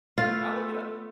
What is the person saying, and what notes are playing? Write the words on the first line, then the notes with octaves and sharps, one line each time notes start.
I'll look it up.
A3 B3 F4